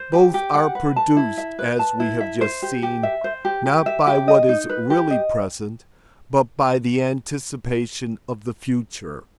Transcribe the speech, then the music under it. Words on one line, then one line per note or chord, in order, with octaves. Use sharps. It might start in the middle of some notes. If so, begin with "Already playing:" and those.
Both are produced, as we have just seen, not by what is really present, but by the anticipation of the future.
Already playing: C5
G4
G4
F#5
B4
A5
E4
E5
B4
A5
E4
E5
C5
G4
G4
E5
C5
G4
G4
E5
G4
D#5
D#4
B4
G4
D#5